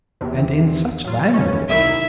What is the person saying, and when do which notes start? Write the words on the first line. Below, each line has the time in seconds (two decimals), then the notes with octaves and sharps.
And in such language!
0.21 E2 C3
1.04 F#3 F4
1.34 G#2 E3 C#4
1.69 C2 D#3 E4 E5